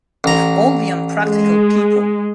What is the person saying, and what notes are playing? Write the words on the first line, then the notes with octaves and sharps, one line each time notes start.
Of all the unpractical people!
A1 A#5
G#3